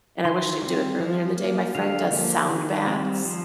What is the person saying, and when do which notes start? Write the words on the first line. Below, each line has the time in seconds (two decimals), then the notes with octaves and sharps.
and I wish she'd do it earlier in the day, my friend does sound baths
0.25 D#3 C6
0.62 G3 C4
1.00 F3
1.37 A#3
1.75 D3 F5
2.12 F3 A#3
2.49 D#3
2.87 G3 C4
3.25 F3